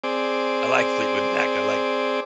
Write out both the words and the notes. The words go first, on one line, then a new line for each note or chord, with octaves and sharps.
I like Fleetwood Mac, I like
C4 G#4 D5